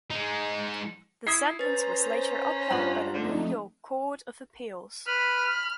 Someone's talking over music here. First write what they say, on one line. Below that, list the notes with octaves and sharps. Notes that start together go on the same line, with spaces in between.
The sentence was later upheld by the New York Court of Appeals.
G#3 D#4
E4 D#6 G#6 C7
C#4 B4 C5 A#5 A6
G2 F4 F#5 F#7
F2 D3 A3 D#4
B4 B5 F6